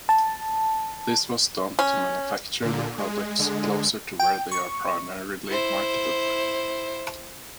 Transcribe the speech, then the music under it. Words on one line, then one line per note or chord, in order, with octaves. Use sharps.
This was done to manufacture the products closer to where they are primarily marketed.
A5
C#4
A#2 D3
G#3
D3 G#3
G5
C#6
E4 C5